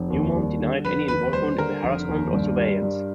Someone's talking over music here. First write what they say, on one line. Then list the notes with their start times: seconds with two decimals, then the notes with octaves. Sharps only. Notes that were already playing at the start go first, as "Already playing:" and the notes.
Newmont denied any involvement in the harassment or surveillance.
Already playing: F1
0.10 D#2
0.35 G3
0.60 D3
0.84 F1 B4
1.08 D#2 B4
1.33 G3 C5
1.58 D3 A#4
1.83 F1
2.08 D#2
2.33 G2
2.57 G3
2.82 G2